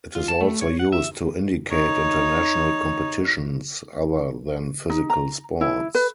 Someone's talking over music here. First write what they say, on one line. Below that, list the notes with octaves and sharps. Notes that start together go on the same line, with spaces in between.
It is also used to indicate international competitions other than physical sports.
F4
A5
A3
C#5
F#5
E5
D#4 C#5
D#4
A#5
E4
B4